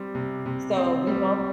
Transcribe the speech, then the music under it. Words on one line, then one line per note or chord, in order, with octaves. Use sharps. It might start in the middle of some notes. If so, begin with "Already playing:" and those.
so we both
Already playing: G3 C4
C3
C3
C4
G3